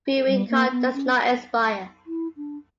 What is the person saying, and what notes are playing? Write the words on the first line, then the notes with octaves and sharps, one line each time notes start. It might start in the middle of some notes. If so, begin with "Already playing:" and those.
Viewing card does not expire.
G3
A#3
B3
C#4
E4
D4